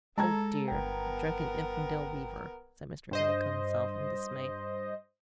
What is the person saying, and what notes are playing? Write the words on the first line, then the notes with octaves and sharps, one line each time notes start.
'Oh dear! a drunken infidel weaver!' said Mr. Hale to himself, in dismay.
G#3 A4 A5 A#5 G#6
G1 B3 A#4 G5
G2 C5 D#5